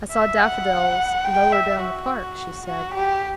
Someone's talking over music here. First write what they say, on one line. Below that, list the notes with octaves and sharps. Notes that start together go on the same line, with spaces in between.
"I saw daffodils lower down the park," she said.
E5
F#5
G5
E5
F#4
F#4
G4